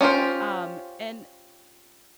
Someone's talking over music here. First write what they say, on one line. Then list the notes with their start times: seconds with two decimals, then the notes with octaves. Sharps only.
Um, and
0.01 C#4 F4 G4 C5